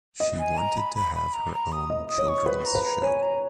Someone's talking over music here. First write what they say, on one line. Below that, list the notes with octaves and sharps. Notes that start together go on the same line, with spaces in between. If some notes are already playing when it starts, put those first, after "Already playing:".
She wanted to have her own children’s show.
D#5
G#5
A#5
B5
B5
B5
A#5
A#5
D#6
D#5
D#6
C#5
C#6
B4 B5
A#5
B4
A#5
C#5 G#5
A#5